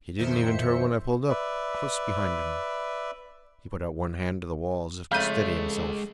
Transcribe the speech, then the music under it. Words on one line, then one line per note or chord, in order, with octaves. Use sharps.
He didn't even turn when I pulled up, close behind him; he put out one hand to the wall, as if to steady himself.
F2 D#3 F3 C5 E5 C#7
B4 D5 E5
F2 G#3 A3 C#5 F5 G6 D#7